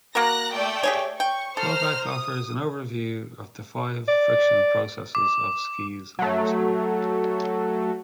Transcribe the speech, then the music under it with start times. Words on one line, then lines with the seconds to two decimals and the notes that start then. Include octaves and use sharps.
Colbeck offers an overview of the five friction processes of skis on snow.
0.15 A#3 F#4 A#4 A#5 F#6 A#6
0.52 A3 D5 G5
0.83 G4 G#4 C#5
1.20 G5 C#6
1.57 A4 C5 A#5 F6
2.08 D#6
4.08 D5
5.15 D6
6.19 F#3 A3